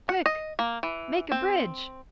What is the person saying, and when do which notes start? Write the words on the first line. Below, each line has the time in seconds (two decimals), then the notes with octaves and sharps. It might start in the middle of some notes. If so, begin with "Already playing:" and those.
Quick!--Make a bridge!
0.09 F#5
0.26 D#5
0.59 A#3
0.83 E3
1.32 C4